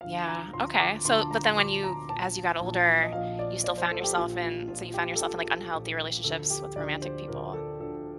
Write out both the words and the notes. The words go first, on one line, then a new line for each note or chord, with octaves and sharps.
Yeah, okay, so but then when you as you got older, you still found yourself in so you found yourself in, like, unhealthy relationships with romantic people
D2 D3 F3 F5
A#5
D2 D3 F3 C6
D6
D2 D3 F3 C6
A5
A#5
C6
D2 D3 F3 D6
A#5
A#1 A#2 F3 A5
A#1 A#2 F3
D#5
A#1 A#2 F3 F5
D5
A#1 A#2 F3 D5
C5
A4
G4
A#1 A#2 F3 F4
F4
A#1 A#2 F3 F4
F4
G4
A4
A#1 A#2 F3 G4
A4
A#1 A#2 F3
D2 D3 F3 A4
G4
D2 D3 F3 D5
C5
D2 D3 F3 A#4
A4
D2 D3 F3 A4